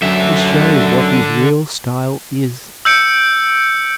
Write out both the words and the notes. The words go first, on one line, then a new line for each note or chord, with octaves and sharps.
He shows what his real style is.
F#2 D3 E5
E6 G6 C#7 D7